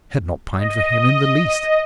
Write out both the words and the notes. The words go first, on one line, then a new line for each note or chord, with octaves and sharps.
I had not pined for him in the least.
D#5